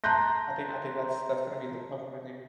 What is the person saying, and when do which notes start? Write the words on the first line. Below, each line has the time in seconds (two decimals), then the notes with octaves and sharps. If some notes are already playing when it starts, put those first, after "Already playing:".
I think I think that's that's gonna be the tough one with you.
0.04 A5 A#5 C6 F#6 G6 A#6